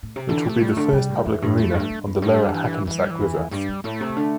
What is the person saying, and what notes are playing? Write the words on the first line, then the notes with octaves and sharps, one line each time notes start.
It will be the first public marina on the lower Hackensack River.
A2
C3
D3 E3
C3
A3
A2 G3
A3
D3
C3 G3
A2
E2 E3
G2
E2 A3
G2
A3
G2
E2
G2 G3
E3
G2 E3
G3
E3
E2
G2 G3
G2
A2 A3
C3
D3